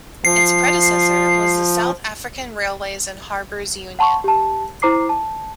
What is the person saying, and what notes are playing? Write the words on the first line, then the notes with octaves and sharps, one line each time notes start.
Its predecessor was the South African Railways and Harbours Union.
F3 C7
F#5 A5 C6 C#6
G4 A5
E4 C5 A#5 D6 C7
A5